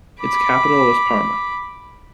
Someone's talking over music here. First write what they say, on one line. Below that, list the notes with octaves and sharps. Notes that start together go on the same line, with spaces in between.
Its capital was Parma.
B5 D6